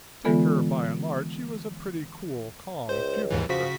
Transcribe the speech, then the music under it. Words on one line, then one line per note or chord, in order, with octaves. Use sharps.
Take her by and large, she was a pretty cool, calm cucumber.
D3 E3 G#3 B3 F4 A4
C#2 C5
D#2 G#2 E3
C#3 F3 F#4 B6